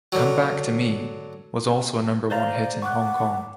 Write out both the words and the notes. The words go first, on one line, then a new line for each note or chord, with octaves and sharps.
"Come Back to Me" was also a number-one hit in Hong Kong.
D3 F#3
C5 D5 F5 A#5
F#5 C#6 D6 F#6